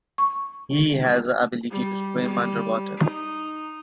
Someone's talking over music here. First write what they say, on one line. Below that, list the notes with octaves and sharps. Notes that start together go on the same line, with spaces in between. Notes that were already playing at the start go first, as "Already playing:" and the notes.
He has the ability to swim underwater.
C#6
G3
G3
D#4